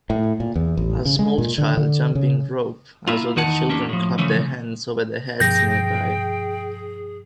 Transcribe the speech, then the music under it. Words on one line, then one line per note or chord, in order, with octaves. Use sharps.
A small child jumping rope as other children clap their hands over their heads nearby.
A2
A#2
E2
A1
C#3
G#3
A#2
D3
D3
C#3
A#3 E4 F4
E2 D#3 D#4 B4 F#5 A5
E2 A#3 C#4 D4 G4
A2 F3
C#3 E3 F3 A3 C#4
G2 B2 F3 G#4 G5 G6 A#6